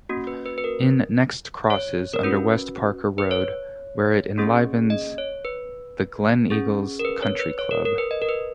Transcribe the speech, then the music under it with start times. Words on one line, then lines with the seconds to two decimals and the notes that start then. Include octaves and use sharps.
It next crosses under West Parker Road where it enlivens the Gleneagles Country Club.
0.09 A#3 C#4 F#4
0.27 B4
0.46 B4
0.58 B4
0.64 A#4
1.70 C#5
2.14 A#4
2.23 C#4 F#4 B4
3.18 B4
3.31 C#5
4.38 A#3 C#4 G#4
4.90 D#5
5.18 C#5
5.45 B4
6.50 C#4 G#4
6.99 A#4
7.05 B4
7.22 C#5
7.40 B4
7.59 C#5
7.71 A#4
7.85 A#4
7.98 B4
8.11 D#5
8.22 A#4
8.29 B4